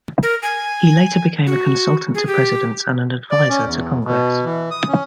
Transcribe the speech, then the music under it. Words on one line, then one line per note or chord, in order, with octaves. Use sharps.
He later became a consultant to presidents and an adviser to Congress.
A#4
G#5
F#4
G#4
G4
D5
C#4
E2
B2
E3
D#6
C#4